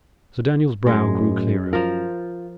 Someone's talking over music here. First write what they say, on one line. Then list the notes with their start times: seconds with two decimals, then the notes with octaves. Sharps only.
Sir Daniel's brow grew clearer.
0.86 F#2 A2 G#3
1.73 F3 F4 A#4